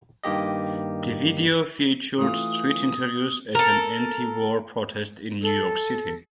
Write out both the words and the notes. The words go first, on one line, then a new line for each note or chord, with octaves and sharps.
The video featured street interviews at an anti-war protest in New York City.
G2 D#3 A#3 G4 D#5
E3 A3 F4 D#6
A4 A#4
A4